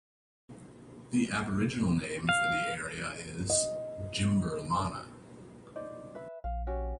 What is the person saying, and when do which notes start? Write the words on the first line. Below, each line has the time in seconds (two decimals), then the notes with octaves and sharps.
The Aboriginal name for the area is "Jimberlana".
2.29 F5
3.50 D#5
5.76 D#4 C5 D5
6.15 B4 E5
6.44 A#1 F5
6.67 C#4 F#4 G4